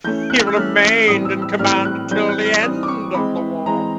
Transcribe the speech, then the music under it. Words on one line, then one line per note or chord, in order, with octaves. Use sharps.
He remained in command until the end of the war.
E3 A3 C#4 G6
F#6
F6
E6
E3 A3 C#4 F6
A2 E3 G3 C4 D#6
E6
E6
A2 E3 G3 C4 F6
F#6
E3 G3 C4 G6
F#6
F6
E3 G3 C4 D#6
D6
C#6
E3 G#3 C4 B5
E3 G#3 C4 A#5